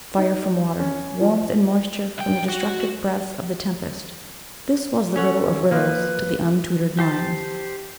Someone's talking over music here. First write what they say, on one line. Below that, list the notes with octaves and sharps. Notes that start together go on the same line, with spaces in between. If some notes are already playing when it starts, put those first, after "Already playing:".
Fire from water, warmth and moisture from the destructive breath of the tempest, this was the riddle of riddles to the untutored mind.
D#4
C#4
F3
C2 G5
F#4
C#4 A4 C#5 F#5
F3 A#3 B4
G4 C5 A5